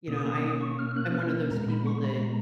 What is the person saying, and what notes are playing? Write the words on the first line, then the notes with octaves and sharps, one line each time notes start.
you know, I I'm one of those people that
B2 A#3 C#4 D#6
D#6
D#6
C#6
F6
F#6
F6
A#2 G#3 B3 A#5
B5
C#6
B5
A#5